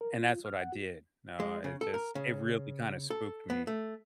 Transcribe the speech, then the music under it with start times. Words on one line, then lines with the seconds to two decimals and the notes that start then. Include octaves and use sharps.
And that's what I did. No, it just it really kinda spooked me.
0.01 A#4
0.18 F4
0.46 F6
0.61 F#5
0.72 F#4
1.40 G#3
1.64 C#3
1.81 A4
1.94 A#4
2.15 C#3
3.10 A4
3.50 B3
3.67 A3